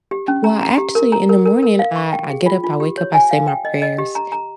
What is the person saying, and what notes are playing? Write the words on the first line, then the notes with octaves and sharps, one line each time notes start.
Well, actually, in the morning, I I get up, I wake up, I say my prayers,
G4
C#4
A#5
A#5
G4
A#4
A#5
A#4
A#4
A#4
F5
C#6
G5
G#4
F4
F4
G4
C#5
G#5
F5
G5
D#5
D#5
G4
A#5
A#5